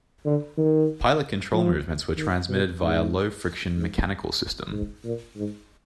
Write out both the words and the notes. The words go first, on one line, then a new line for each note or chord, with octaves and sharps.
Pilot control movements were transmitted via a low-friction mechanical system.
D3
D#3
F3
D#3
B2
G#2
G#2
G#2
A#2
G#2